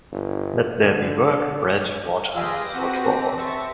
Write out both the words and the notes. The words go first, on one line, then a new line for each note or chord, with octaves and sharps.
Let there be work, bread, water and salt for all.
G1
D3
F4 G4 G#4 B4 G#5 E6 A#6
C4 F#4 F#5
E5 A5 C6 C#6